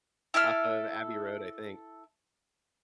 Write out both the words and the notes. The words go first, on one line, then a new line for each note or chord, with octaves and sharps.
Off of Abbey Road, I think.
E4 A4 E5 F6